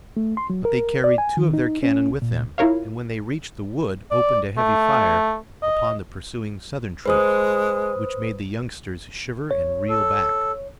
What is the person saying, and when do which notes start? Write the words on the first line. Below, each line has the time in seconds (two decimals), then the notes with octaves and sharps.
But they carried two of their cannon with them, and when they reached the wood opened a heavy fire upon the pursuing Southern troops, which made the youngsters shiver and reel back.
0.17 A3
0.37 C6
0.50 F#3
0.65 A#4
1.04 D5
1.18 G#5
1.37 D#3
1.54 D#4
1.83 C#4
2.09 C2
2.22 A#2
2.58 E4 F4 A#4 C#5 F5
4.11 D5
4.58 A3
5.63 D#5
7.06 G#3 B4 C5 D#6
9.51 C#5
9.89 A4